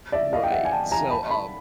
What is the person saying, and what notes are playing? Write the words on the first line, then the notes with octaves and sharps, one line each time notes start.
Right, so, um,
D5 E5
D#5 F5
G5
E5 F#5
G#5
G5 A5
G#5 A#5
A5 B5
A5 B5